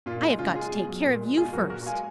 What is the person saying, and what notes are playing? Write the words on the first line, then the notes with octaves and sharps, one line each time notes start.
I have got to take care of you, first.
A#2 F4
G#3 D#4
C#3 F4
G#3 F4 G#4
B2
F#3
A#2
G#3
B2 F4 G#4
F#3 F#4 A#4
A#2 F#4 A#4
G#3 F5 G#5